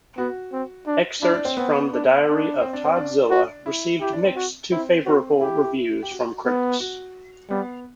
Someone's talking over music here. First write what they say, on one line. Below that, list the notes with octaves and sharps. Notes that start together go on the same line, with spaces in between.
"Excerpts from the Diary of Todd Zilla" received mixed-to-favorable reviews from critics.
B3 F#4
C4
D4
D4 E4
D4
C4
B3 C4
D4
D4
C4
D4
C4
D4
F#4
E4
E4 G4
D4
C4
F#4
C4 E4
C4 F#4
E4 G4
G4
F#4
B3
F#4
G3 B3